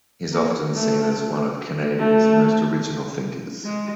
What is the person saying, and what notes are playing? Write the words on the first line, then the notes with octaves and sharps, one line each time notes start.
He is often seen as one of Canada's most original thinkers.
A#3
A3
A3
G#3